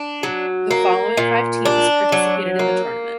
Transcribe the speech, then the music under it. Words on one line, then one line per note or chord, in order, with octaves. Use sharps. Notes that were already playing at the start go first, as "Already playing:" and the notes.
The following five teams participated in the tournament.
Already playing: D4
F#3
A#3
A#2
D4
F#3
A#3